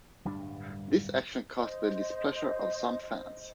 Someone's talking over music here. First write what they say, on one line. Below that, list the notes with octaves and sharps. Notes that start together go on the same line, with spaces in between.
This action caused the displeasure of some fans.
D1 G2 G3 D4
C5 D#5